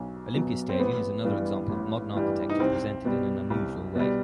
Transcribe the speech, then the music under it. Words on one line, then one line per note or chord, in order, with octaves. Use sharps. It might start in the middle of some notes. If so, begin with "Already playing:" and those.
Olympiastadion is another example of modern architecture presented in an unusual way.
Already playing: B1 F#3
B2 F#3
C4
A1 B3
G2 E3 G3
A1
G2 E3 G3
D#4
C2 C4
B2 G3
C2
B2 G3